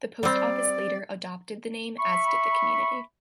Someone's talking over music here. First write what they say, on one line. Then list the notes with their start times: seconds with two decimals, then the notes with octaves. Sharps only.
The post office later adopted the name, as did the community.
0.23 G3 C4 D5
1.99 E5 B5 C#6